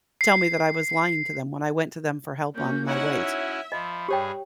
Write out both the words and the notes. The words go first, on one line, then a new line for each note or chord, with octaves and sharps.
tell me that I was lying to them when I went to them for help on my weight.
C7
A#3 C#4 F#4 G6
C#4 D#4 E4 F#4 C#5 F#5
E5
F3 D#5 B5
G2 G4 G#4 C#5 G5